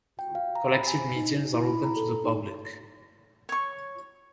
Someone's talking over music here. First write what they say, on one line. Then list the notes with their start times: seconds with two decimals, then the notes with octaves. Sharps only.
Collective meetings are open to the public.
0.19 G5
0.35 F5
0.56 A#5
0.74 B5
0.88 G#5
1.16 D#4
1.54 E4
1.68 B5
1.84 A#5
1.97 A4
2.24 D#4
3.49 C#5 C#6